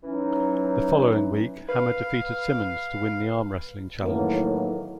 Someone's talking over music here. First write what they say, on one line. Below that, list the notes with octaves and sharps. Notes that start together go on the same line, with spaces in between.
The following week Hammer defeated Simmons to win the arm wrestling challenge.
E3 F#3 C#4 D#4
B4 F5
A2 D#3 E3 F#3 A#3 B3